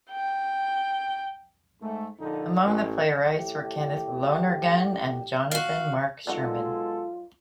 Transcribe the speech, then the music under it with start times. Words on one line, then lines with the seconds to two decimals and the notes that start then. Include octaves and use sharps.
Among the playwrights were Kenneth Lonergan and Jonathan Marc Sherman.
0.11 G5
1.81 G#2 A3
2.20 A#1 D3 D#4 A4
2.64 A1
3.32 A2 G4
5.51 F#4 F5
6.27 B2 F#3 G#3 D#4 F4 F#4 A4